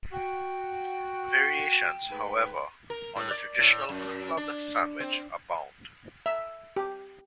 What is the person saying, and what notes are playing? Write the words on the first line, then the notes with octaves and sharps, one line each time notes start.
Variations, however, on the traditional club sandwich abound.
F#4 G5
G#2 A3 B4
A#4
A2
D5
A2
F#2
D4
C4
E5
G4